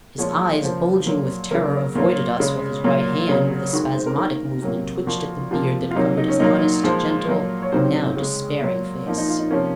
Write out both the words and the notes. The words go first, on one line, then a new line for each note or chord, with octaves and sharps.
His eyes, bulging with terror, avoided us, while his right hand, with a spasmodic movement, twitched at the beard that covered his honest, gentle, and now despairing face.
A#2 F3 G#3 C#5
C#3 F3 A#3 C5
A#2 F#3 A#3
C#3 F#3 A#3 A#4
A#2 F#3 A#3
C#3 G#3
A#2 F#3 A#3
C#3 F#3 A#3 G#4
D#3 G#3 F#4
C5
A#4
D#3 A#3 A#4
C3 F#3 A#3
A#2 F3 A#3 F#4
C3 F3 A#3 F4
F4
C3 F#3 A#3 D#4
D#4
C#4
A#2 F#3 A#3 D#4
A#2 F3 G#3 C5
A#2 F#3 A#3
C#5
C3 D#3 F#3 A#3 C5
C#3 C#4
G#3
A#2 F#3 A#3
A#2 F3 A#3 D#4
D#4
F4
D#4
C3 F3 A#3 C#4